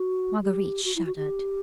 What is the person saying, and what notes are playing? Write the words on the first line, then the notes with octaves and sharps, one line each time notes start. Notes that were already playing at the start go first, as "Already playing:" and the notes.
Marguerite shuddered.
Already playing: F#4
G4
F#4
E4
F#4
G4